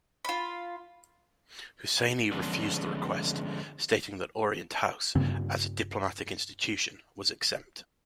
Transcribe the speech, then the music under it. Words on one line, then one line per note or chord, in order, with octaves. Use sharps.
Husseini refused the request, stating that Orient House, as a diplomatic institution, was exempt.
F4 B5
D3 F3 G#3 B3 C#4 D4
G2 C#3 A#3 C4